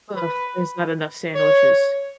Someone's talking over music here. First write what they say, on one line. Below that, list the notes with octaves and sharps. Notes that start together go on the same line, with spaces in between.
uh, there's not enough sandwiches
B4
C#5